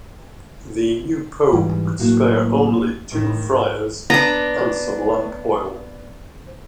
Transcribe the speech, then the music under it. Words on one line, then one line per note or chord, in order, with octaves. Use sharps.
The new Pope could spare only two friars and some lamp oil.
G#2 E3 G3
A2 F#3 A3 A#3 F#4
A2 D#3
G#2
B3 D4 A#5